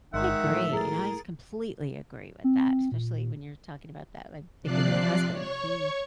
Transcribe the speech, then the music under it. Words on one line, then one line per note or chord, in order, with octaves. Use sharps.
I agree, and I s completely agree with that, especially when you're talking about that like, thinking of my husband, he
G1 D#3 G#3 E5 F#5
A2 F3 A4
G#4 A#4 A6
C4
A#2
C3 F3 D5 F#6 C7
C#5 C#6